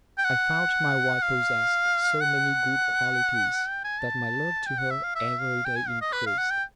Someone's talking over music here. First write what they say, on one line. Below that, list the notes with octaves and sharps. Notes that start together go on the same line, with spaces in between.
I found my wife possessed so many good qualities, that my love to her every day increased.
G5
F#5
F5
F#5
G5
G#5
A5
G5
F#5
E5
F5
E5
F5
G5
G#5
F5
D#5
B4
F5
F#5
G5